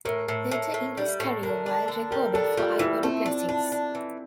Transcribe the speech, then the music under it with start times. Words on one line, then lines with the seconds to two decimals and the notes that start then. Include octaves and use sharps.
Later in his career, Wild recorded for Ivory Classics.
0.05 A2 A#4
0.28 A2
0.51 A2
0.74 A2
0.97 G3
1.20 A2
1.43 D3 A#4
1.66 D4
1.88 D3
2.11 G3 A#4
2.34 D4 A4
2.57 G3 F4
2.79 E3 E4
3.03 A3 C4
3.26 D4
3.49 D4 E4
3.72 D4
3.95 E3